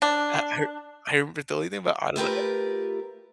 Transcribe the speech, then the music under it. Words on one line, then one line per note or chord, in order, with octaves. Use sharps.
uh, I r I remember the only thing about Out of the
D4
A3 F4 G4 A#4 B4